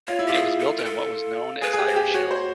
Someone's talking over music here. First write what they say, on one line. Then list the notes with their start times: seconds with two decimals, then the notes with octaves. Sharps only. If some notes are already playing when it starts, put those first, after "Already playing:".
It was built on what was known as Irish Hill.
0.08 F4 C#5
0.19 E4
0.27 G4
0.29 F4 G#4
0.59 A4
0.77 A#4
0.85 A4
1.62 G#4 B4
1.73 G#4
1.79 G4
1.88 C5
1.96 G4
2.13 F#4 C#5
2.31 C5